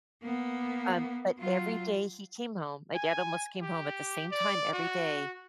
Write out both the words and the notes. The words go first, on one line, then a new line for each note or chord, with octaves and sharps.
Um, but every day he came home- my dad almost came home at the same time every day-
A#3 B3
F#3 F4
G#5
G4
D5
F#4